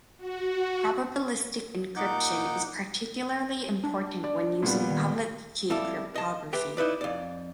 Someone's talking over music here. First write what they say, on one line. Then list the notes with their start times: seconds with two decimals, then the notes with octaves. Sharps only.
Probabilistic encryption is particularly important when using public key cryptography.
0.17 F#4
1.96 A#2 D#4 F#5 D6 G6
3.84 D4
4.24 D5
4.62 A#2 G3 B3
4.90 D#3
5.70 F2 G3 E4 A4
6.16 D#5 A5
6.53 G4 B4 E5 G5
6.77 D#4 E4 B4 D5
7.01 F2 D5